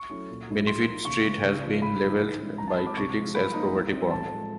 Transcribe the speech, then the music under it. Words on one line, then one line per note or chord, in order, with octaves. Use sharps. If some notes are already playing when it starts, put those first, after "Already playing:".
Benefits Street has been labelled by critics as "Poverty Porn".
Already playing: C#6
F#3 A3 C#4 E4
A#2
F#3 A3 C#4 E4
F3 C6
A#3 D#4
C#3 C#6
E3 G#3
C#3
F3 G#3
A2 B5
F3 A#3 D#4
D#3
G#3 C#4 E4
E3 A#5
A5
G#3 C4 B5
D6
C3 C#6
F3 G#3
F3 B5
A#3 D#4
E3
G3 C4 E4
A2 A5
F3 G#3